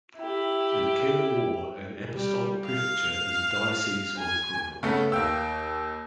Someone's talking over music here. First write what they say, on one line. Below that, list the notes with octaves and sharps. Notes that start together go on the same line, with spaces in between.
In canon law an apostolic prefecture is a diocese on approval.
E4 G4
G3
F5
G#5
C#3 A3 B3 C#4
D#2 F5 G5 E6